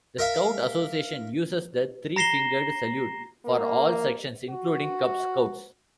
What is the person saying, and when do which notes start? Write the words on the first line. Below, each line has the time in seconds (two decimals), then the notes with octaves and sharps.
The Scout Association uses the three-fingered salute for all sections, including Cub Scouts.
0.19 A#4 E5 F5
2.16 A#5 A#6 C7 E7 G7
3.45 A#3
4.50 F#4